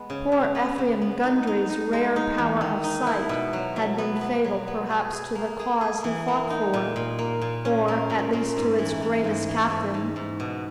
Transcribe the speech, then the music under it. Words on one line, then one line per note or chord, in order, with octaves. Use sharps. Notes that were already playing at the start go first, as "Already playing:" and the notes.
Poor Ephraim Gundry's rare power of sight had been fatal perhaps to the cause he fought for, or at least to its greatest captain.
Already playing: G#3 B3
C#3
C#3
B3
C#3
B3
D#4
D#4
D#4
G#3
D#4
E2
D#3
D#4
E4
B2
F#3
F#3
B3
B3
F#3
B3
G#4
G#4
A#3
G#4
G#4
E3
A#3
D#4
A#2
A#2
A#3
A#2
C#4
A#3
A#2
A#2
G#2
E3
E3
G#2
E3
G#2
G#2
G#2
B2